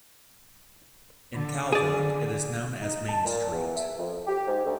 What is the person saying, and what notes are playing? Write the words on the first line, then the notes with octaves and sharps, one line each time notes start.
In Calvert, it is known as Main Street.
D3
G#4 D5
D#4
A5
A#2
E2
E5
F2
G4
G#2
D2